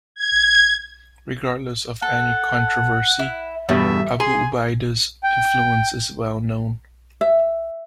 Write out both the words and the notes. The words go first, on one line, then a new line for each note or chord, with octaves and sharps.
Regardless of any controversy, Abu Ubaida's influence is well known.
G#6
A4 F#5
E4
E2 G2 B2 A3 E5
G#4 G#5 C6
G5
E5